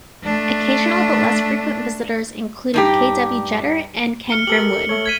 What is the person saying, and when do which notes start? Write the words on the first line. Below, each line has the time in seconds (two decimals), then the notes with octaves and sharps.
Occasional but less frequent visitors included K. W. Jeter and Ken Grimwood.
0.24 A3 D4
2.74 G2 D#4 G4
4.29 F6 C#7 G7
4.47 G4 A4 A#4 F#7
4.89 A3 A4 C#5
5.06 G#6 B6 D#7